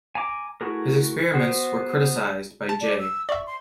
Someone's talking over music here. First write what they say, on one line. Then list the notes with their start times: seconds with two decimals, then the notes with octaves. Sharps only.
His experiments were criticised by J.
0.15 G#5 A#5 D6
0.61 A3 E4 F#4 G#4 A#4
1.34 B3 F#4 C5
2.69 A5
2.81 D5
2.99 E6
3.29 D5 E5 C#6
3.47 C6